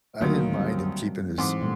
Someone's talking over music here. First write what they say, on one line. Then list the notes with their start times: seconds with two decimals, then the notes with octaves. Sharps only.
I didn't mind him keeping his
0.21 D2 D#3 F#3 A3 A#3
0.52 G3 C4
1.38 G#2 E3 C4 D6
1.61 A#2 G3 A3